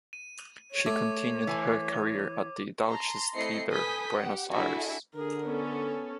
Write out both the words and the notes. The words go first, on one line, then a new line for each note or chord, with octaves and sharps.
She continued her career at the Deutsches Theater Buenos Aires.
D#7
C#5
A3 D6
E3 G#5
A5 A#5 C6
A3 C4 E4 D#5 C7 C#7
A4 B4 G#5 D#6 G6 B6
G4 F#5
D4 E4 F#4 G#4 A4 E5
D3 G#4 A#4
B3 C#4 A4